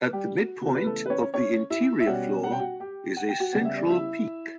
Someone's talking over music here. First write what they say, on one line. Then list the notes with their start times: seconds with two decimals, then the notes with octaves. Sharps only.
At the midpoint of the interior floor is a central peak.
0.13 G3 G4
0.37 F#4
0.61 C#3 E3 B3 F#4
0.75 B4
0.86 A3 A4
1.06 B4
1.10 C#4 C#5
1.34 C#4 C#5
1.70 E4 E5
2.00 E5
2.07 B2 G3 C#4 F#4 F#5
2.44 F#5
2.52 G5
2.60 F#4 F#5
2.80 G4 G5
3.17 F#5
3.28 G5
3.40 F#4 F#5
3.53 C#3 G3 B3 F#5
3.65 E5
3.77 D5
3.89 E4 E5